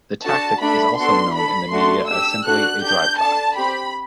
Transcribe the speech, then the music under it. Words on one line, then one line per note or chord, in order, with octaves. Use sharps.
The tactic is also known in the media as simply a "drive-by".
D4 F#4 A4 A5
A3 D4 A4 B5
B3 D4 F#4 A4 C6
D4 A4 B5
A3 D4 F#4 A4 C6
D4 G4 E6
D4 F#4 A4 F#6
D4 G4 G6
D4 A4 A5
C4 G4 B5